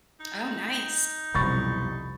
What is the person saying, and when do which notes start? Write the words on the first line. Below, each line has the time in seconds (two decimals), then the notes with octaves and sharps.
Oh, nice.
0.20 D#4
1.34 C2 F2 B2 F#3 B5 C#6 A6